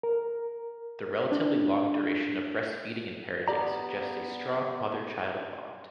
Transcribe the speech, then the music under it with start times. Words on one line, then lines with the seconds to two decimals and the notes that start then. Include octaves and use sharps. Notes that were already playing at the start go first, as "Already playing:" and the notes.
The relatively long duration of breastfeeding and parenting suggests a strong mother-child bond.
0.03 A#4
1.32 D4
3.48 B3 G4 D5 A#5